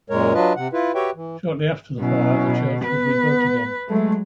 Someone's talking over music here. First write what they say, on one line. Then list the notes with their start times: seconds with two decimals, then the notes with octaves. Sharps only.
Shortly after the fire, the church was rebuilt again.
0.10 F#2 A#2 G#3 A#4 C#5
0.34 F#3 D4 F4 B4 D#5
0.56 C3 F#5
0.73 E4 F4 B4
0.95 F#4 G4 B4 C#5 E5 G5
1.15 E3
2.00 B2 F#3 C#4 E4
2.85 B3 B4
3.89 F#3 G#3 A3